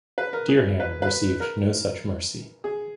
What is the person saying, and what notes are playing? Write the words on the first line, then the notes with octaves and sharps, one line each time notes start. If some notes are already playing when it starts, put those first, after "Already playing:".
Dereham received no such mercy.
B4
A#4
G#4
B4
B4
A#4
G#4